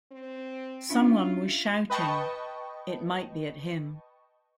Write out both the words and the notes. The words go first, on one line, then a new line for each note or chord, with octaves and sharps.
Someone was shouting — it might be at him.
C4
C#4 D4 F4 E5
B4 D#5 G5 A5 C#6